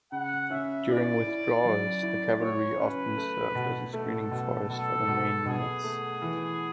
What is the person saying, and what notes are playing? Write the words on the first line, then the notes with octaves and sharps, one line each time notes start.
During withdrawals, the cavalry often served as a screening force for the main units.
C#3 F#5
C#4 E5
E4 D5
E4
F#3
E4
E4 C#5
C#4 B4
A3
B2
A3 A4
B2
B2 A4
B2
B2 G#4
A3
E3